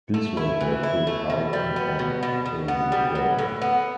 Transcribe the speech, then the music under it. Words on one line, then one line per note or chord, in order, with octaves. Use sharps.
This was their first album on Polydor.
A3
E4
E3
E4
A3
B2
G3
B3
B2
B2
B2
B3
G3
F#3
A2
B3